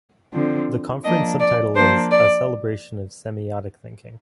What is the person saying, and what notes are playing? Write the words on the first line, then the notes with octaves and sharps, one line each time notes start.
The conference subtitle is "A Celebration of Semiotic Thinking".
D3 F3 C4
F3 A#3 D4 D#5
D5
F3 A#3 D4 C5
D5